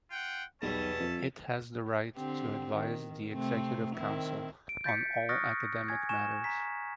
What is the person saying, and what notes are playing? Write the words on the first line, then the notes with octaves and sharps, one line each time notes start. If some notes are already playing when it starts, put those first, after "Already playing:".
It has the right to advise the Executive Council on all academic matters.
F4 F#5 G5
B1 E2 B2 G3 C#4 E5 A5
F2
D3 C4 G4
D#3
C3 A3 C4
D#3 C4 E4
D7
G6 A6 B6 C#7
C#6 D#6 F6 F#6 A6 A#6
G#5 G#6
G#5 C#6 E7
A#5 B6